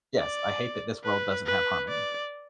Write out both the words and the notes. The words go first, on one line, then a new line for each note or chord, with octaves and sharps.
Yes, I hate that this world doesn't have harmony.
D5
B4
B4
D5